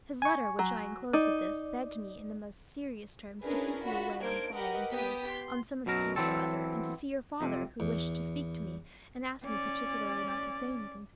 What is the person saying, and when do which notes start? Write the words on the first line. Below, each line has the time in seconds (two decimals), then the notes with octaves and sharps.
His letter, which I inclose with this, begged me, in the most serious terms, to keep you away on the following day, on some excuse or other, and to see your father, who wished to speak to me, and asked me particularly not to say anything to you about it.
0.22 G#5 C#6
0.59 F#3
1.13 D#4 D5
3.42 C#4 D4 E4 G#4 A#4 B4
3.84 F4 F#4 B5
4.20 A#3 D4 D#4 C5 G#6 D7
4.53 G4 A#4 B4 D#5 F#5
4.91 B3 G4 D#6 B6
5.31 C6
5.86 F#2 B2 F#3 A#4
6.16 E3 F#3 C4 A4
7.41 F2 C3
7.80 E2
9.43 C#4 D5